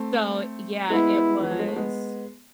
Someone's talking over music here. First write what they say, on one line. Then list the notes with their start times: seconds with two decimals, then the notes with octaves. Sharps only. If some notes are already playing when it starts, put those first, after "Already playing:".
so, yeah, it was,
Already playing: A3 C4
0.90 G#3 B3 E4
1.41 E3
1.51 F3
1.59 G#3
1.68 A3
1.76 G#3 B3